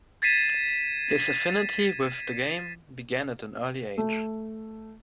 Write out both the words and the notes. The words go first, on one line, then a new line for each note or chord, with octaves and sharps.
His affinity with the game began at an early age.
G#6 A6 B6 C7 D#7 E7
A3